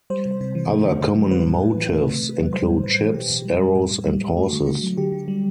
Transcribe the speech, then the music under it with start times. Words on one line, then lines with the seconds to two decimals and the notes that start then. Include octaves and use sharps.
Other common motifs include ships, arrows and horses.
0.10 G3 C5
0.25 C3
0.41 C3
0.55 E3
0.70 A3
0.86 D3
1.02 D3
1.17 F#3
1.31 G3 B4
1.47 A2
1.63 A2
1.78 E3
1.92 A3
2.07 C3
2.23 C3
2.39 F#3
2.54 G3 C5
2.69 A2
2.84 A2 B4
3.00 E3
3.14 B2 G4
3.30 B2
3.45 G3
3.61 G3
3.75 A2
3.91 A2
4.06 G3
4.22 G3
4.37 A3 F#4
4.52 D3
4.67 D3
4.82 F#3
4.97 D3 G4
5.12 D3
5.28 G3